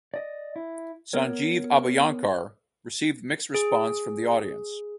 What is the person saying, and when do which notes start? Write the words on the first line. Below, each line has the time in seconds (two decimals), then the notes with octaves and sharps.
Sanjeev Abhyankar received mixed response from the audience.
0.14 D5 D#5
0.56 E4
1.13 B3 A#4 C#5
3.54 G#4